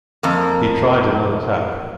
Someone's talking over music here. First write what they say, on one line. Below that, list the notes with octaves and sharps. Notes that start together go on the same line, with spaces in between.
He tried another tack.
F2 A#3